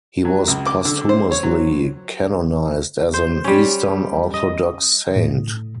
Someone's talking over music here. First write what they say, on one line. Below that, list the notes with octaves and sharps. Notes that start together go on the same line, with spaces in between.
He was posthumously canonized as an Eastern Orthodox saint.
F#3
C#2
D6
D3
C5
C#5
F#3
C5
G3 C#4
D#5
A2